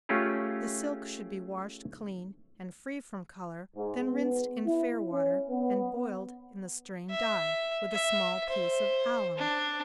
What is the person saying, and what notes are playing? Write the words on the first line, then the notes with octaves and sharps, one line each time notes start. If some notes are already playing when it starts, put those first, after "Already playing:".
The silk should be washed clean, and free from color, then rinsed in fair water, and boiled in the strained dye, with a small piece of alum.
A3 C#4 F4 G4 G#4
G#2
B3
E4
C#4
B3
E5
E5
C5
D4